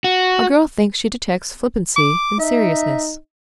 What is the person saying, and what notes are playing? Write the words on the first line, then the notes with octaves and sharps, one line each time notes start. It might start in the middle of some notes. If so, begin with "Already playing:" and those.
A girl thinks she detects flippancy in seriousness.
F#4
D6
D#4 E5